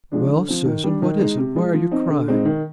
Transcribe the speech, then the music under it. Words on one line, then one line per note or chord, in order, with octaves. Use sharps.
'Well, Susan--what is it?--why are you crying?'
F3 G#3 D4
D3
F3 C4
D#3
G3 D4
D#3
G#3 D#4
C3
F3 G#3
F3
C4 D#4
D3
G#3 C4 D#4
D#3